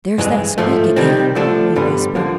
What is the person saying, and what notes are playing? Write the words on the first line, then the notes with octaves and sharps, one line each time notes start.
"There's that squeak again!" he whispered.
G2 E3 G#3
G#2 F3 A3
C3 D#3 G3 C4
D3 F3 A3 D4
G2 D3 G3 B3
D3 F3 A#3